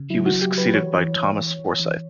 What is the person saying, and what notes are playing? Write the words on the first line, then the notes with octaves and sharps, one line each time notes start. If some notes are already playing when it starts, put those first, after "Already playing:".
He was succeeded by Thomas Forsaith.
Already playing: C#3
F#3 E4
F#4
F#3
G4
F#3
B4
B4
E3 C#5
E3
E3
E3
E3
E3